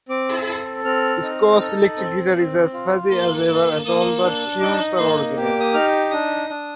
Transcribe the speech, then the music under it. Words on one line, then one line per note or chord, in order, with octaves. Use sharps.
Sco’s electric guitar is as fuzzy as ever and all the tunes are originals.
C4 D6
A4
C4 F6
D#4
A4
C4
C4
F4
A#3
A#3
A#3 D#6
D4
D#4 D6
A#3 C6
G4
D6
D#6
D#4 F6
D4 D#6
D4